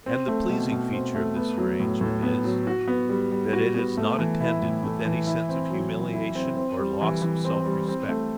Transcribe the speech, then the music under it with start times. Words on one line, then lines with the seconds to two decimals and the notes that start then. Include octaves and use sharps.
And the pleasing feature of this arrangement is, that it is not attended with any sense of humiliation or loss of self-respect.
0.06 C4
0.28 A3
0.49 B2
0.71 B2
0.93 C4
1.15 A3
1.36 B3
1.58 F#3
1.80 A2
2.01 A2
2.23 B3
2.44 F#3
2.67 F#4
2.88 B3
3.09 G3
3.32 G3
3.53 F#4
3.74 B3
3.97 A3
4.19 E3
4.41 E4
4.62 A2
4.83 A3
5.05 E3
5.27 E4
5.49 C4
5.71 F#3
5.92 F#3
6.13 E4
6.35 C4
6.57 C4
6.78 G3
7.01 E3
7.22 E3
7.45 C4
7.65 G3
7.88 C4
8.09 A3